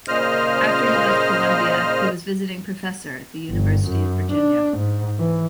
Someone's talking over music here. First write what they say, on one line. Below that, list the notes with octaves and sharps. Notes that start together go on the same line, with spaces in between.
After he left Columbia, he was Visiting Professor at the University of Virginia.
A#2 C#3 C5 D#5 F6
G1
F#2
D4
G#2
E3